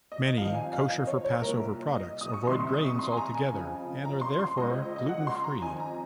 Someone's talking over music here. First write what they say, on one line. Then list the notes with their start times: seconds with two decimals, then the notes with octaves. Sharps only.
Many kosher-for-Passover products avoid grains altogether and are therefore gluten-free.
0.12 D#5
0.37 F2 D#3 F5
0.54 G#5
0.73 F5
0.89 D#5
1.07 C#5
1.25 C#5
1.42 C2 A#2 A#4
1.95 D#5
2.21 D#6
2.34 C#6
2.47 C2 C3 D#3 C6
2.60 C#6
2.74 D#6
2.86 C#6
2.99 C6
3.12 G#5
3.17 A#5
3.35 G#5
3.52 F2 C#3
4.05 A#5
4.21 C6
4.39 C6
4.57 C#2 C#3 D#5
4.70 C5
4.83 D#5
4.96 D#5
5.09 F#5
5.27 C6
5.44 A#5
5.62 F2 D#3 G#5
5.80 A#5